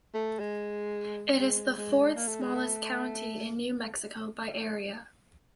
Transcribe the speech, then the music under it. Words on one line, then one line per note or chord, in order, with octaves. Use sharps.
It is the fourth-smallest county in New Mexico by area.
A3
G#3
G#3
G#3
A#3
A3
G#3
A3